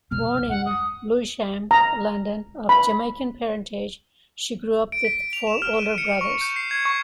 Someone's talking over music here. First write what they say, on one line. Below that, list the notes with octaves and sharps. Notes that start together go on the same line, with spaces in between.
Born in Lewisham, London, of Jamaican parentage, she grew up with four older brothers.
F2 B2 F6
D#1 B1
F#2 G#3 F#5
D#6
A#5
B5
D7
B6
F7
E7
F6
D#7
C#7
C#6
G6
C7
G#6
C#6